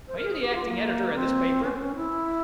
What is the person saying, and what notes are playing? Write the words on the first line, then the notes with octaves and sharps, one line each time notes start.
"Are you the acting editor of this paper?"
C5
A#4
G#4
G4
F4
A#3
C4
C#4
C4
C#4
E4